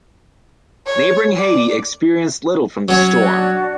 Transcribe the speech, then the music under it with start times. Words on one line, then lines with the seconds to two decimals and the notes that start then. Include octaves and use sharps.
Neighboring Haiti experienced little from the storm.
0.87 C#5
1.37 D5
2.88 F#3 C#4
3.15 D4 F#4 D5